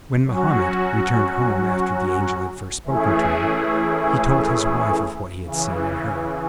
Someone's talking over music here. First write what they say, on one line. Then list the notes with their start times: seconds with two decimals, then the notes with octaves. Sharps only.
When Mohammed returned home after the angel had first spoken to him, he told his wife of what he had seen and heard.
0.24 F#3 C#4 F#4
2.84 E3 A3 C#4 E4 G#4
5.44 C#3 E3